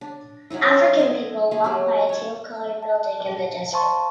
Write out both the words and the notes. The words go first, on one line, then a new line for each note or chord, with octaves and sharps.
African people walk by a teal colored building in the desert.
D4
F#3 C#4 D#4 E4
D#5 E5 G#5
A#3 G#4
F#3 G4
C#5 A5
A5
C5 F5 A5 C6 C#6